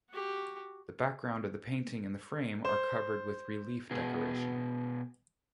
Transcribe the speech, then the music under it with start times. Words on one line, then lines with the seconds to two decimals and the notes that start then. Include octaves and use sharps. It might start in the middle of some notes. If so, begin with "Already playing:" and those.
The background of the painting and the frame are covered with relief decoration.
0.10 F#4 G4
2.65 C5
3.91 B2 G#4